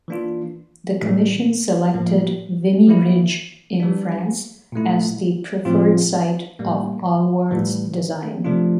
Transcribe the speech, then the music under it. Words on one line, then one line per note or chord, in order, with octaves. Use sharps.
The commission selected Vimy Ridge in France as the preferred site of Allward's design.
E3 A#3 D4 F4
A2 E3 G3
A2 F3 A#3
F3 A#3 E4
E3 G3 D4
A#2 A3 E4
A2 F3 C4 F4
A2 G3 A#3
A2 E3 G3
C3 F3 A3 D4 F4